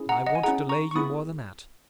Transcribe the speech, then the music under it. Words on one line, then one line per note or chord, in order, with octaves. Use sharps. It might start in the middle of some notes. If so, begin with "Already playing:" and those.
And I won't delay you more than that.
Already playing: C#4 E4 G#4
F#5 A#5
D#5 F#5
G#5
C#4 E4 G#4 F#5 A#5
A#5 C#6
C#6
B3 E4 G#4 B5 D#6